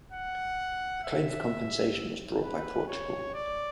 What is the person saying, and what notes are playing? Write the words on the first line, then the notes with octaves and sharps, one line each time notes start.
A claim for compensation was brought by Portugal.
F#5
E5
B4
C#5
D5